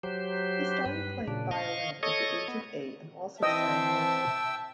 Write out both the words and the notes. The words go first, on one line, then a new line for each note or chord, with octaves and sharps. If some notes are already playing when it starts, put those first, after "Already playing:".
He started playing violin at the age of eight and also sang locally.
F#3 G4 C5
G2 B4
A#2 C#3 D4
D#5 F5 C#6
A4 C#5 D#5 C#6 D#6
B3 D#5
E3 C4 D#5 E5 G5 A5 E6